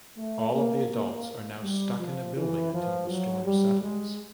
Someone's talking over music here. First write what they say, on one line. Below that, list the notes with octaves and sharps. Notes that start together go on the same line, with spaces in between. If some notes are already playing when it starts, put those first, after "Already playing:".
All of the adults are now stuck in a building until the storm settles.
A3
A#3
A#3
G3
F3
E3
F3
F#3
G3
G#3